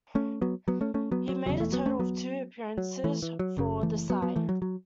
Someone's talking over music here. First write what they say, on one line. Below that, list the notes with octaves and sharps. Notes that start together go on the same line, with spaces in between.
He made a total of two appearances for the side.
A3 C#4
F#3 B3
F#3 B3
A3 C#4
A3 C#4
F#3 B3
F#3
E1 E2 C#3 F#3
E3 A3
F#3 B3
A3 C#4
F#3 B3
F#3
E3 A3
E3
F#3
F#1 F#2 C#3
E3 A3
F#3 B3
F#3 B3
E3 A3
F#3
F#3